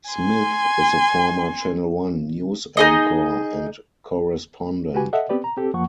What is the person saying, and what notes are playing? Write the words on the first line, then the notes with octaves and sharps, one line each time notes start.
Smith is a former Channel One News anchor and correspondent.
G#5 C6
D#4 G#4 D#5
F#4 G4 B4 G#5
A4 D#5 E5 F#5
B3 C4 G4 B4 D5
A#5
C4 G4 A4
F2 F3 A#3 F#5 C#6